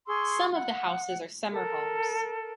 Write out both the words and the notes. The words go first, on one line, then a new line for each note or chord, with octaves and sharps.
Some of the houses are summer homes.
G#4 C6 C#6 E6
F#5
A4 A#4